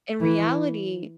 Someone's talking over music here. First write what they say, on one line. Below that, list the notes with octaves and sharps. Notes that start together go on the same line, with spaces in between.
in reality,
E3